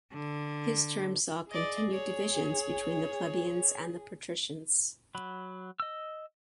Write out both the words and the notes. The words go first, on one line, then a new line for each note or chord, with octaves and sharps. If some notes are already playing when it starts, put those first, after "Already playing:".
His term saw continued divisions between the plebeians and the patricians.
D3
G#4 D5 D#5
C#5
F#3 B5
D#5 E6